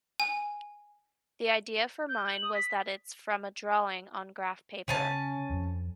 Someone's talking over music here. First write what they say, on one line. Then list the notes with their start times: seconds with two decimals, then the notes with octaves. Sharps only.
The idea for mine was that it's from a drawing on graph paper.
0.20 G#5
2.09 G6
2.27 F#7
2.42 D#6
2.55 B6
4.88 C#3 C#4 G#5 A5
5.50 F2